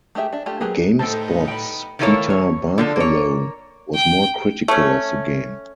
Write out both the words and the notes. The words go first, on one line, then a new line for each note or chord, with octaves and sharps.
GameSpot's Peter Bartholow was more critical of the game.
A3 G4 G#4 E5 G5
D4 E5
A3 D4 F4 G4 A4
F#3 A#3 G4 G#4 B4
A2 G3 B3 D#4 A4 C5 G5
G5 B5
D#3 E3 A#3 E4 A4 C#5
C#5
D3 F3 A4
A#3 C#5
G5
A3 C#4